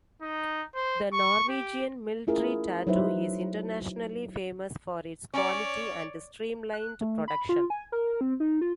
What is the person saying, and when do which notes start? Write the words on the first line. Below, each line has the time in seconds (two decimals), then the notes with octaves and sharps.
The Norwegian Military Tattoo is internationally famous for its quality and streamlined production.
0.22 D#4
0.75 C5
1.12 C#6
1.48 G4
2.27 A3 C#4 E4 F4 G#4 A#4
2.87 F#3 D#4 E4 B4 C5 E5
5.34 C#4 C#5 D5
6.73 F#6
7.01 A3
7.28 B5
7.49 F4
7.70 G#5
7.92 A#4
8.21 C4
8.40 D#4
8.61 F4